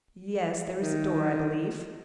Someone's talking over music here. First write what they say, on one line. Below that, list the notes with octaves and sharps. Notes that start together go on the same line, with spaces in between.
"Yes, there is a door, I believe."
D#3